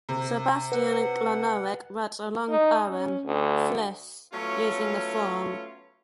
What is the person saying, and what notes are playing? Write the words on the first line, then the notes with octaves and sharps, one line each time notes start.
Sebastian Klonowic wrote a long poem, Flis, using the form.
C3
B4 F#5
D#4
C#4
D2
F#3 A3 B3 C#4 F4 C#5